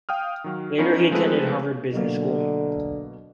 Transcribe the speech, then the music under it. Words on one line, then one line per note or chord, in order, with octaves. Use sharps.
Later he attended Harvard Business School.
F5 G5 D#6 F6
D#3 F#3
E3 F3 B3 C#4 D#4 E4
F3 G#3 A3 C4 B4
B2 D3 F#3 A#3